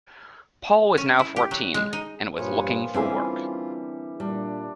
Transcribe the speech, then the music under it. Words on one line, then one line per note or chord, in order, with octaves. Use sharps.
Paul was now fourteen, and was looking for work.
C#4
E4
G4
F#3
G#3
D#4
G2 A#2 F3 B4 C#5 F5
D3 E3 G3 C4 C#4 F4 G#4
A#2 G3 D4